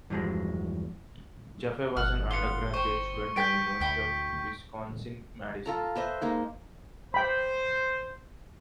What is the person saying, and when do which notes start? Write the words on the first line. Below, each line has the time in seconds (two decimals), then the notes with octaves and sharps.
Jaffe was an undergraduate student at the University of Wisconsin–Madison.
0.10 E2 G2 F3 F#3 G#3
1.96 G1 F#5 F6
2.31 B3 E4 F4 C#7 G7
2.74 C5 G5 C#6
3.36 G3 B4 G5 G#5 G6 B6 D7
3.80 D2 E5 G5 B5
5.66 F4 A4 A#5
5.95 B4 C5 D#5 E5
6.22 G#3 A#3 D#4
7.14 C5 G5 B5